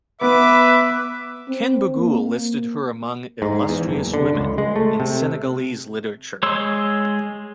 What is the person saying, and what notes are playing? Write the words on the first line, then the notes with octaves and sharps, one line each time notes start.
Ken Bugul listed her among "illustrious women" in Senegalese literature.
B3 B4 E5 D6
C4
A#3
G#2
E2
F#1
D3
C#2
G#3
A3
C3
G#3 C#5 C6 E6